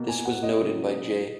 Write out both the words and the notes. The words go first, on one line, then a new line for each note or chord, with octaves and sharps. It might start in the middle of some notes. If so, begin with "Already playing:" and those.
This was noted by J.
Already playing: B2 A#3
G#5
F#5
D#5
C#3 F#3 A#3